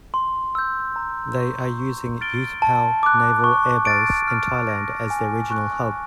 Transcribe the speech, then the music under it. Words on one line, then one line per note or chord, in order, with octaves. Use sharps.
They are using Utapao Naval Air Base in Thailand as their regional hub.
C6
E6 G6
A#5
C#6 E6
C#6
F6 A6 D7 G7
A5
D6 F#6
C#6
F6 A6 D7
F6
A#6 D7
G#5
C#6 F#6